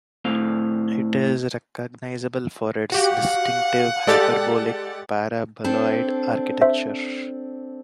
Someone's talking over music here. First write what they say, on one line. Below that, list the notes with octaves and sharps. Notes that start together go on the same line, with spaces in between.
It is recognizable for its distinctive hyperbolic paraboloid architecture.
A2 C4 F5
F#4 G4 F5 F#5
G#3 G4 A4 D5 A6
C4 D4 A4
C5 E5